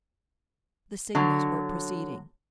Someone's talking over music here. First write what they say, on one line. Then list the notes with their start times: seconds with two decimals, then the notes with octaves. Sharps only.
The signals were proceeding.
1.15 D3 F#3